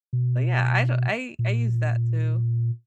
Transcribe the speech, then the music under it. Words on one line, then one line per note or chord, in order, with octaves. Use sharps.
But, yeah, I d I I used that too.
B2
A#2